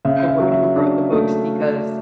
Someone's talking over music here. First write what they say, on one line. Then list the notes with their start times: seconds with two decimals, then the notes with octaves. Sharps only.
the woman who wrote the books, because
0.05 C#3 E5
0.28 E5
0.40 F#3
0.52 E5
0.76 D4
1.12 A3